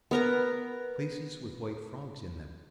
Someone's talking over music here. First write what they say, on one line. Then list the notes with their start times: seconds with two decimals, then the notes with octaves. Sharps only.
Places with white frogs in them.
0.11 B3 A#4 A#5